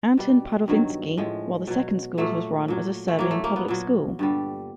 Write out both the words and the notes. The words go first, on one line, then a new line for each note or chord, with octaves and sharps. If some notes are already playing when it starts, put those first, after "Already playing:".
Antun Padovinski, while the second schools was run as a Serbian Public School.
B2 G3
G2 D#3 F#3
A2 F3 G#3
B2 F#3
A#2 F#3 A3
A#2 F#3
A3
A2 F#3 A#3
A3
A#3
B3
A#2 F#3
G2 D3 G3